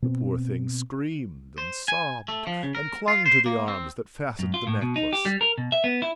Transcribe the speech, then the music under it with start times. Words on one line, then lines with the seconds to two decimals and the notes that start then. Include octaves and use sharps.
The poor thing screamed and sobbed, and clung to the arms that fastened the necklace.
0.02 B2 C4
1.58 C5
1.88 G#5
2.28 A3
2.47 F3
2.63 C#3
2.75 A#4
3.08 F4
3.26 C5
3.46 A#3
3.68 C4
4.39 F#2
4.54 F4
4.67 A2
4.82 B2
4.96 D#4
5.13 G4
5.25 G3
5.41 A#4
5.58 B2
5.72 E5
5.84 B3
6.02 E4